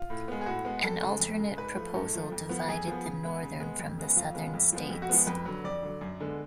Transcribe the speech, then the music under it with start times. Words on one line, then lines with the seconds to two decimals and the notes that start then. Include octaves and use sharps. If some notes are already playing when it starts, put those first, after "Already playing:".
An alternate proposal divided the northern from the southern states.
Already playing: F4
0.10 A2
0.28 G#3 B3
0.41 G#4
0.46 A2 F#4
0.65 G#3 B3
0.83 F2 A4
1.02 C#3 G#3
1.20 F2
1.39 C#3 G#3
1.57 G#2 B4
1.76 F3 A3
1.94 G#2 A4
2.13 F3 A3
2.32 F2
2.49 F3 B3
2.69 F2 G#4
2.87 F3 B3
3.05 C#3
3.23 G#3 B3
3.43 C#3
3.60 G#3 B3
3.79 F2
3.98 C#3 G#3 B3
4.16 F2 F4
4.34 C#3 G#3 B3
4.54 F2
4.72 F3 G#3 B3
4.90 F2
5.02 F#4
5.09 F3 G#3 B3
5.27 F2 B4
5.45 D3 F#3
5.64 F2 D5
5.83 D3 F#3
6.01 F#2
6.20 D3 G#3 B3